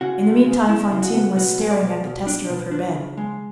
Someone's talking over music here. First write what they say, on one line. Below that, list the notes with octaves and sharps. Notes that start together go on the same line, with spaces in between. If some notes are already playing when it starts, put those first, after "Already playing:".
In the meantime, Fantine was staring at the tester of her bed.
C#3 F#4
G#3
C#3
C#2 E4
C#3
F#4
B3
B2 F#4
G#3
D5
B2
B2
D4
B2
D4
C#3
G#3